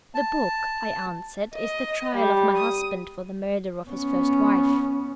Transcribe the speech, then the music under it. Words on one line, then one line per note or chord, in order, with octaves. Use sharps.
"The book," I answered, "is the Trial of my husband for the murder of his first wife."
A5
D#5
G3
D#6
B3 C#4